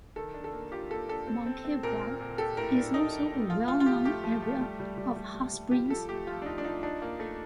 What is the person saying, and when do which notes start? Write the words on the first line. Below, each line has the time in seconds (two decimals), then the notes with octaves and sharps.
Moncagua is also a well known area of hot springs.
0.16 D#3 A4
0.34 D4
0.44 A4
0.53 A#3
0.72 F4 G4
0.90 A#3 A4
1.09 D4 A4
1.27 C4
1.46 C4
1.65 C4
1.83 A#2 A#4
2.01 A#2
2.21 A#2
2.38 G4 A4
2.57 A2 A#4
2.75 D4
2.94 A2 D#4
3.13 G4
3.32 A3
3.49 F3 F4
3.68 A3 F4
3.80 F4
3.86 F3 G4
4.05 A3 G4
4.24 F3
4.42 A3
4.60 G3
4.80 G3
4.98 G3
5.16 G3
5.35 G3
5.53 G3
5.71 F4 G4
5.90 F3 A4
6.09 A3 G4
6.27 F3 F4
6.42 D4
6.46 D#4 F4
6.58 D4
6.64 D#4 F4
6.83 D4 D#4
7.02 A#3 D#4
7.19 A3 A4